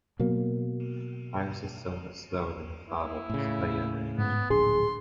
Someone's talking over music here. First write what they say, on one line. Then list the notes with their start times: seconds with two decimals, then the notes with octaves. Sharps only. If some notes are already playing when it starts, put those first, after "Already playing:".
Iris is somewhat slower than her father because of her young age.
0.20 B2 F#3 A#3
2.88 E4
3.30 A2 C#3
4.18 G#2 B3
4.50 D1 A#1 D4 G#4 C6